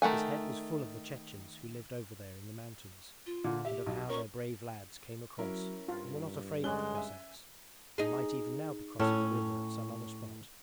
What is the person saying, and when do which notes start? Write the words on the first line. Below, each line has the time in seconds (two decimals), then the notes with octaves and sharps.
His head was full of the Chechens who lived over there in the mountains, and of how their brave lads came across and were not afraid of the Cossacks, and might even now be crossing the river at some other spot.
0.02 D#3 A3 F#5 G#5
3.26 F4
3.44 A#2 D3
3.65 G4 E5
3.86 B1
4.09 C#4 A#4 C#6
5.39 F#3 C#4 E4 A#4
5.88 G2 F4
6.64 D3 G#3 C#4 F#6 G7
6.95 E5 G#5
7.98 D#4 G#4
8.99 A2 C#4 A4